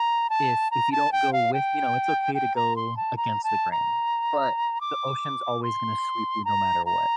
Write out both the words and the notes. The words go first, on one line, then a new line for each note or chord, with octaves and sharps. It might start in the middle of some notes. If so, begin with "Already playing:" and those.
if if you don't go with you know, it's okay to go against the grain, but the ocean's always gonna sweep you no matter what.
Already playing: A#5
A5
A#5
A5
G5
F5
G5
G5
A#5
C6
A5
A#5
A5
A#5
D6
C6
A#5
A#5